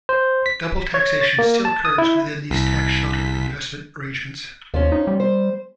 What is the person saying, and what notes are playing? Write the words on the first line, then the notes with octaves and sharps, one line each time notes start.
Double taxation still occurs within these tax-sheltered investment arrangements.
C5
B6
C#5
A6
A#3
A5
D#6
E4
C2 B6
D#2 F3 C#4
D#4
G3
C5